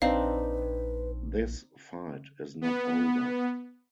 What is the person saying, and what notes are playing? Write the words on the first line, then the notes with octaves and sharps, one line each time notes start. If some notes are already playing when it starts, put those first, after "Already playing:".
This fight is not over.
A#1 C4 D4 D#4 B4 F5
B3